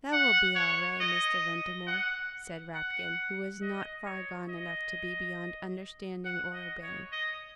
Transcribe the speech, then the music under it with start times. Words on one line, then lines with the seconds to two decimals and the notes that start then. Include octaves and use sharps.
"That will be all ri', Mr. Ventimore," said Rapkin, who was not far gone enough to be beyond understanding or obeying.
0.13 F#5
0.56 C#5
1.00 D#5
1.87 F#5
2.75 F#5
3.62 D#5
4.06 C#5
4.49 D#5
6.25 F#5
6.54 D#5
6.83 C#5
7.12 D#5